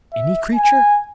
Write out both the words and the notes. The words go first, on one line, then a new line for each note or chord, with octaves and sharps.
"Any creature?"
E5
G#5